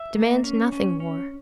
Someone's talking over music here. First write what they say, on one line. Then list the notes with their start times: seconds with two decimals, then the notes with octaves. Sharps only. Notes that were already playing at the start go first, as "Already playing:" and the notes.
Demand nothing more.
Already playing: E5
0.16 A#3
0.44 C#4
0.72 C#4
1.00 C#4